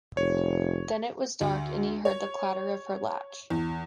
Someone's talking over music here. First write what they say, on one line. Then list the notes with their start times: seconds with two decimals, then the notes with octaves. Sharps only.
Then it was dark, and he heard the clatter of her latch.
0.17 F1 C#5
1.41 D2
2.05 C#5
3.50 E2